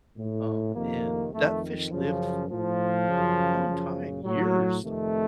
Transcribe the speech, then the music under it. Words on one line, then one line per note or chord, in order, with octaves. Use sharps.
um, and that fish lived for a long time, years,
A2
F2 C3 D#3 A#3
F2 D#3 A3
F#2 C#3 F3
A2 F3
F#2 C#3
F#2 C#3
A2 F#3
F2 C3 D#3 A3